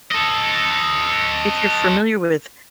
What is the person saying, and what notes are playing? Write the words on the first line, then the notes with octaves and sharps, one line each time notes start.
If you're familiar with
A4 D#5